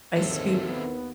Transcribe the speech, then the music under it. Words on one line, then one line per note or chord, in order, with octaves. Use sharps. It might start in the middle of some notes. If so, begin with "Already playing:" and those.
I scoop
G1 D#2 G#2 C4 E4 A4
D#2 B3